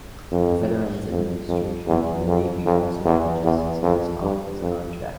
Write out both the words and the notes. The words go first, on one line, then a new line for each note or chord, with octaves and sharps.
The Veterans Administration and the Navy also purchased systems off this contract.
F2
F2
F2
E2
F2
F2
E2
E2
F2
G2
F2